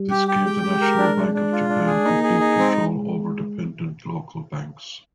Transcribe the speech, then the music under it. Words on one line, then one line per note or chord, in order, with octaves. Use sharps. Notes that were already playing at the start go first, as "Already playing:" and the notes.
This gave the national Bank of Japan complete control over dependent local banks.
Already playing: G3
G4
G4
G#3 G5
G4
A#4
D4
D4
D4
F4
D4
G#4
A#3 D#4
G#4
D#4
G#3 C4